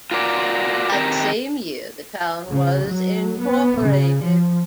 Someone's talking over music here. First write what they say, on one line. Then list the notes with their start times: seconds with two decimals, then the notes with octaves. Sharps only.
That same year, the town was incorporated.
0.11 F4 F#4 A#4 D5
0.92 D#3 C4 G4 A#4
2.50 C#3
2.87 F#3
3.41 B3
3.84 C#3
4.25 F3